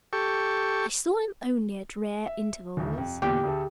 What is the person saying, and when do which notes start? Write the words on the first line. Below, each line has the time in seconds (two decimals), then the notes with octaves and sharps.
I saw him only at rare intervals.
0.13 G4 A4 C#6
2.26 E5
2.77 D#1 D2
2.98 F2 C3
3.22 E2 A#2 D3 G4
3.44 D2 G#4 A4